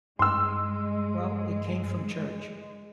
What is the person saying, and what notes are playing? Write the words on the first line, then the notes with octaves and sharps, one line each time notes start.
Well, it came from church.
G2 G#3 C6 E6